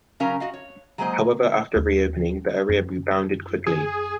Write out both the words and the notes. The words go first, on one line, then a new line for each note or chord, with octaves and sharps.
However after reopening, the area rebounded quickly.
C#3 F#3 C#4 A#4 F5 A#5
F#4 D#5 F5
C#5
F#3 G#3 A#3 B4 C5 D#5
D#2
F#2
G#4